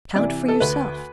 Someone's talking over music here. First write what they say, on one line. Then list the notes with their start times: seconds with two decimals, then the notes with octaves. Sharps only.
"Count for yourself."
0.15 C3 E3 D5
0.48 A4
0.60 D2 B4